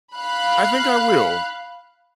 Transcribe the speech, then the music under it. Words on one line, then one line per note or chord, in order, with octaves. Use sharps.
I think I will.
F5 B5 F#6